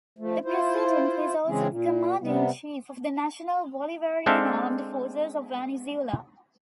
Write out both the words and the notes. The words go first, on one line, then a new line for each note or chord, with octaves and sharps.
The president is also the commander-in-chief of the National Bolivarian Armed Forces of Venezuela.
F3 A3
E4 F4 C5
C#3 E3 G#3 C4 C#4 G#4
A#2
C3 G3 B3
G#3 C4 D4 A4 E5 F5